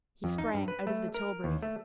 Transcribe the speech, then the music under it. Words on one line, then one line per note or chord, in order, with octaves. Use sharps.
He sprang out of the tilbury.
F2
D#4
G2
B4
A3
A#4
D#2
A3